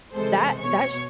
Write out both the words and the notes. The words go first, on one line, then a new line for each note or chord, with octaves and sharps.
that that sh
C3 E3 G#3 A4 C5
B2 C#5 C#6